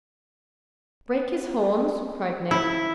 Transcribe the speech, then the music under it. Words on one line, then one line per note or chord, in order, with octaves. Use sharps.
"Break his horns!" cried Ned.
E4